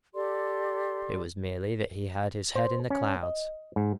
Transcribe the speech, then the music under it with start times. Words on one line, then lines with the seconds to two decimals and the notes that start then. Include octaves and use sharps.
It was merely that he had his head in the clouds.
0.14 G4 A4 D5 C6
2.55 C5
2.90 C#4
3.23 D#5
3.76 G#2